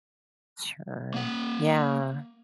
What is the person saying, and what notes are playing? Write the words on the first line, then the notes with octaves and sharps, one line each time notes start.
Sure, yeah.
A#3 F#5